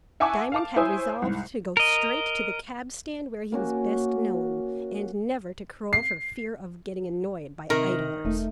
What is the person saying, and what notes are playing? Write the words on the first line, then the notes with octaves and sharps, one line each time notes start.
Diamond had resolved to go straight to the cab-stand where he was best known, and never to crawl for fear of getting annoyed by idlers.
E5 F#5 G#5 A5 C#6 D6
F5 A5 D6
E4 C5 C#5 G#5 D#6
C2 G#2
A#4 D#5
A#3 C#4 F#4
C7
C3 D#3 A#4
E1 A3 D#4